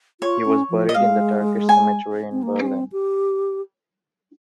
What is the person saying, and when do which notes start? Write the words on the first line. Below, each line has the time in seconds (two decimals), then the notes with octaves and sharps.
He was buried in the Turkish Cemetery in Berlin.
0.21 F4 C#5
0.45 C#4
0.70 F3
0.89 D#5
0.94 G#3 F5
1.69 G#5
2.32 C4
2.43 A#3
2.61 C#4
2.66 C4
2.92 G4